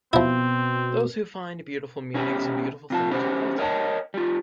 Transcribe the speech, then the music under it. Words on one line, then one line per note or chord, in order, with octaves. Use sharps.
Those who find beautiful meanings in beautiful things are the cultivated.
B2 F3 C4 E4
B2 C#4 E4 G4 A#4 B4
C3 F4 A5
B3 C#4 E4 F#4 G4 C5
A#4 C#5 D#5 E5 G5 A5
G3 F4